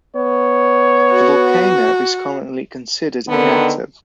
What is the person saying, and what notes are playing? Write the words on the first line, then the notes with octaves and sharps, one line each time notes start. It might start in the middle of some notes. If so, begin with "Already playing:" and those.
The volcano is currently considered inactive.
B3 C#5
F#4
D3 D#3 B3